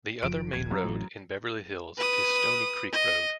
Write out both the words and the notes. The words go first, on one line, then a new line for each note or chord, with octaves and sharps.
The other main road in Beverly Hills is Stoney Creek Road.
F#1 F3 D7
D#1 A#1 G#6
F#2
A1 A2
B4 D#6
D#5